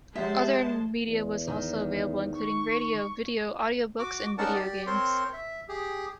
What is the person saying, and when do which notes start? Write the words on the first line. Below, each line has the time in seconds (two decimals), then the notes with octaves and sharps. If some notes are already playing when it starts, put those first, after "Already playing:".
Other media was also available, including radio, video, audio books, and video games.
0.16 F3 G#3 A#3 G4 C5 E5 A5
1.07 E2
1.48 D#3
2.37 C#6
3.99 F#4 D6
4.38 C#4 D#4 A#4 D5 F#5 A5
4.55 G4 D5
4.87 C4 A#4 C5 C#5 C6
5.33 E5
5.69 G4 G#4